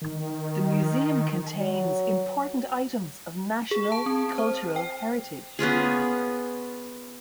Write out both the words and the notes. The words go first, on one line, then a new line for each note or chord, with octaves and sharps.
The museum contains important items of national cultural heritage.
D#3
F#3
G#4
A5
C4
C5
G5
B3 C#4 F4 G#4